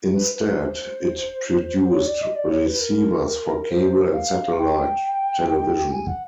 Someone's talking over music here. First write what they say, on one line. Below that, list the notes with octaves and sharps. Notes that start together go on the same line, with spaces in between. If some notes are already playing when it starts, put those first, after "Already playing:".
Instead, it produced receivers for cable and satellite television.
B4
B4
C5
C#5
D5
D#5
D5
C#5
B4
A#4
C5
F5
G5
G#5
F#5